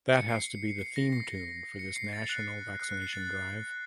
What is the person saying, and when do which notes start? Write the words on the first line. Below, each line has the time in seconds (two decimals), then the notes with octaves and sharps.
That has to be the theme tune for this national vaccination drive.
0.13 C#7
0.28 C7
0.79 C7
0.96 A#6
1.12 C7
1.79 C#7
1.96 C7
2.13 A6
2.29 F#6
2.80 F#6
2.91 F#6
3.02 C7
3.13 A6